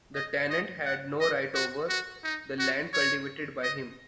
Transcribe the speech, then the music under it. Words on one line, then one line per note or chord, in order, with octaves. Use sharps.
The tenant had no right over the land cultivated by him.
D#5
D#5
F#5
D#5
F#4
F#4
D#4
F#4
C#5
D#5